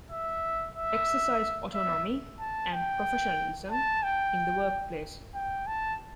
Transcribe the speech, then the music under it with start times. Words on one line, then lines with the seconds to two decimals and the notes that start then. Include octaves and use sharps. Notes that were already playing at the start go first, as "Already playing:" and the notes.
Exercise autonomy and professionalism in the workplace.
0.10 E5
0.75 E5
1.74 E5
2.40 A5
2.72 G5
3.71 A5
4.03 G5
5.34 G5
5.67 A5